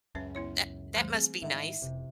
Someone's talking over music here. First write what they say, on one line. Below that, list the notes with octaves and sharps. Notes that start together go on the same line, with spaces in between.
That that must be nice.
C#2 F#2 C#3 C#4 B4 E5
B3 E4 C#5
E3 G3 A3
C4 G#4
G#2 D#3 E4 E5
F1 C3